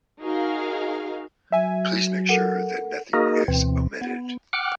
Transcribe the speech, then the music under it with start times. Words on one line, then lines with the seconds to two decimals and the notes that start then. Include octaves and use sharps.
Please make sure that nothing is omitted.
0.22 D#4 F#4 G#4 A#4 F5
1.52 F#3 E5 G#5
2.29 A4 A#4 F#5
3.13 A#3 D#4 F#4 G#4 A#4 D#5
3.48 D2 B2 E3 C4
4.01 B3
4.53 F#5 G5 D6 F6 F#6